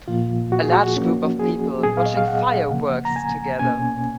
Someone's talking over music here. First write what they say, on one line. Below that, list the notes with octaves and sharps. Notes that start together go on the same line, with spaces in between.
A large group of people watching fire works together.
A#2 F3 A#3 F4
F#4
G#4
F#4
F3 A#3 C#4
G#4
A#2 F#3 B3 G#4
F5
D#5
F5
F#5
C#3 F3 A#3
A#5
G#5
B2 A#3 C#4 G#5